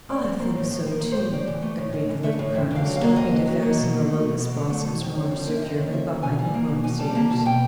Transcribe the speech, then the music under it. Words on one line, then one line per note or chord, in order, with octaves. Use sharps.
"I think so, too," agreed the Little Colonel, stooping to fasten the locust blossoms more securely behind the pony's ears.
A2 D5
F3
A#3 C5
A2
C5
A2 B4
F3 A#4
A#3
C5
A2
A2 D5
E3
A3
A2
A2 D#5
E3
A3 E5
A2
F2 E5
D3 F5
F#3
F5
A#3
F2 D#5
D3
F#3
A#3
B2
F#3
A3
B2
B2
F#3
A3
B2
F2
C#3
F3
A#3
E5
F2 D#5
C#3
F3 E5
A#3
B2 G#5
G3
A#3
B2
B2 G#5
G3 A5
A#3 A5
B2 A5
B2 G5